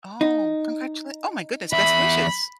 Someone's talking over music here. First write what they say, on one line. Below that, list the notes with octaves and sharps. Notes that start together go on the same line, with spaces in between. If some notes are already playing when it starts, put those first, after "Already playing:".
Oh, congratulate oh my goodness, best wishes.
D#4
E2 E5 B5